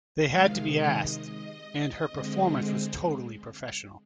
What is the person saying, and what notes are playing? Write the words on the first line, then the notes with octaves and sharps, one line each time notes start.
They had to be asked, and her performance was totally professional.
C3 D#3 G#3 F5
D#5
D#5
D3 G#3 C4